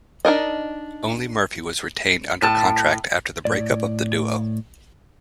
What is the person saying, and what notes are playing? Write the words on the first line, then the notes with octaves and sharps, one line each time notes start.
Only Murphy was retained under contract after the breakup of the duo.
D4 D#4 A#4 D#5
A2 A5
A2 D5